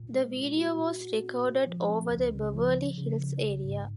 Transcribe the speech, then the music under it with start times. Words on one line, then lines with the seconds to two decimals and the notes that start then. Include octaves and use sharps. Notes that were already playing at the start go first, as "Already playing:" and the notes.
The video was recorded over the Beverly Hills area.
Already playing: A#2
0.13 G#3
0.36 A#2
0.57 F#4
0.79 A#2
1.01 F#4
1.23 C4
1.44 A#2
1.67 F3
1.88 C4
2.10 C#2
2.32 C#3
2.54 F3
2.75 F3
2.98 C#3
3.19 C#3
3.41 A#1
3.63 G#2